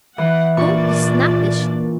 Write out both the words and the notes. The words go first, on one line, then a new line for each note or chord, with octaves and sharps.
Don't be snappish.
E3 F#5
A#2 A#3 D4 D5 C#6